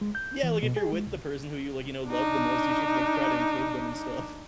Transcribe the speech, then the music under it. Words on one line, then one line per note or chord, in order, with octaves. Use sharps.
Yeah, like if you're with the person who you like, you know, love the most, you should, like, try to include them and stuff.
G#3
G6
E3
B2
G#4
G#3
C2
D4 D#4